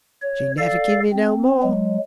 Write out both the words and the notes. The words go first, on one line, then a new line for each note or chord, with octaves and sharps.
"She never give me no more."
C#5
A4 D5 F5
C4
F#3 G#3